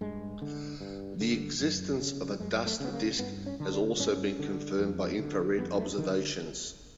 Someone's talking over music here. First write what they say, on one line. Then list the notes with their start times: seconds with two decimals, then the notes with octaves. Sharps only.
The existence of a dust disk has also been confirmed by infrared observations.
0.01 G2 G#3
0.42 D3
0.81 G2
1.21 D3
1.60 F#2
2.01 C#3
2.30 G3
2.40 F#2 G#3
2.66 A3
2.80 C#3 B3
2.93 A#3
3.19 G2 B3
3.46 C#4
3.60 D3
3.73 D4
3.99 G2 C#4
4.39 D3
4.79 F2
5.19 D3
5.58 F2 B3
5.78 A3
5.98 D3 D#3